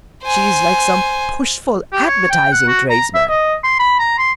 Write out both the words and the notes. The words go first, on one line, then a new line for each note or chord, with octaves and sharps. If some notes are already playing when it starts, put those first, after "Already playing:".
She is like some pushful advertising tradesman.
C5 G#5
G4
C#5
G5
F#5
F#4
A#5
E5
D#5
C6
B5
A#5
C6